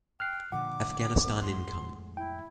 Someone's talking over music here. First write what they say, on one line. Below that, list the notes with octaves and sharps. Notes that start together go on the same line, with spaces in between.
Afghanistan income.
G5 F6 F#6 C7
A#2 D3 F3 F#5 D6
F2 A2 G#3 C6
E4 G5